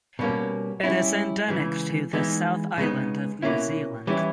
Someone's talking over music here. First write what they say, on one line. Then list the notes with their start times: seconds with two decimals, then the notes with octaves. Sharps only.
It is endemic to the South Island of New Zealand.
0.19 B2 G3 A#3 C#4
0.83 G3 C#4 E4
1.48 C#3 E3 G#3
2.13 E3 G#3 B3 D#4
2.78 C#3 G#3 B3 D#4
3.42 B2 A#3 C#4 E4
4.07 E3 G3 C#4 E4